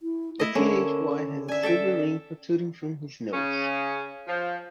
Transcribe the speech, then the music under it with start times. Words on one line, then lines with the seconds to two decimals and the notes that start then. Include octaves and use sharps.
A teenage boy has a silver ring protruding from his nose.
0.02 E4
0.40 A3 E4 D#5
0.55 D3 C#4 A#4
1.48 D5 E5 G#5
1.63 A4 E5 G5
3.32 C#3 C#4
4.27 F3